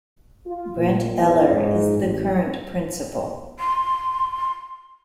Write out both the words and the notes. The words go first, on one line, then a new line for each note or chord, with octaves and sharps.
Brent Eller is the current principal.
F4
A#2
E2
G#2
A1
C6